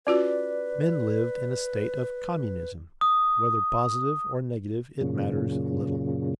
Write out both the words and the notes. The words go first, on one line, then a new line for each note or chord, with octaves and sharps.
Men lived in a state of communism; whether positive or negative it matters little.
C#4 F4 F#4 B4 D5
D#6
F#2 A#2 C#3